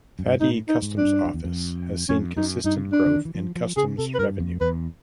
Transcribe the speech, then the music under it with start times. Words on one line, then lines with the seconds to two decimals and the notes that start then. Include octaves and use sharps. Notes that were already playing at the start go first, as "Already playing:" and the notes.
Thadi Customs Office has seen consistent growth in customs revenue.
0.19 F#2
0.26 G2
0.34 G#2
0.41 A2 D#4
0.69 D#4
0.82 G#2
0.97 D4
1.04 G2
1.25 F2
1.34 E2
1.44 F2
2.09 F2 C#4
2.37 F#2 D#4
2.64 G2 D#4
2.92 D4
3.06 D3
3.16 D#3
3.25 E3
3.35 F3
3.56 F3
3.77 C#3 G#4
3.98 C3 A4
4.14 B4
4.19 G2 A#4
4.39 F2
4.61 E2 B4